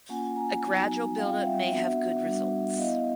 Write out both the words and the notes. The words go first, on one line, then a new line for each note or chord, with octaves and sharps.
A gradual buildup may have good results.
A#3 C#4 F4 F#5 G#5
G#5 A#5
F#3 B3 D#4 F#4
G3 C4 F4 F5 G5
E5 F#5
B3 D4 F#4 E5 F#5
G3 B3 D4 F#4
B3 E4 D#5 F5